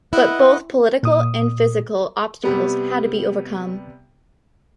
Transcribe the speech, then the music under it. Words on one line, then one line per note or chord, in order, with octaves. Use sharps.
But both political and physical obstacles had to be overcome.
E4 B4 D#5 F#5
A#2 D#6
C3 G3 B3